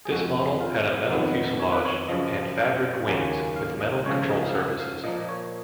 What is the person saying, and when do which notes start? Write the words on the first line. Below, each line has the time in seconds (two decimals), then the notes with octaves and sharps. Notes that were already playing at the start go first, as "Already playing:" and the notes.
This model had a metal fuselage and fabric wings with metal control surfaces.
0.05 G#4
0.11 F2 F3 G#3 F#4
0.60 F4
1.09 F2 D#3 F#3 B3 D#4
1.60 C#5
1.73 B4
1.85 C#5
2.08 F#2 C#3 F3 D#5
2.57 F5
3.07 D#2 C#3 F#3 A#3 G#5
3.32 G#5
3.56 F5
3.80 D#5
4.05 C#2 C#3 F3 C#5
4.31 D#5
4.46 F5
4.55 F#5
4.80 F5
5.04 A#2 F3 A#3 D#5
5.20 D#5
5.29 C#5